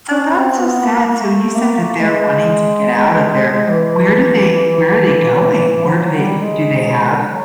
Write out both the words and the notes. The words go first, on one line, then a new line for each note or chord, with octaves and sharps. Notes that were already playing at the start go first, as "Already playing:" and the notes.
So that's so sad, so when you said that they're wanting to get out of there, where do they where are they going? Where do they do they have
C#4
C#4
C4
B3
A#3
A3
A#3
A3
G#3
E3
F3
F#3
G3
G#3
F#3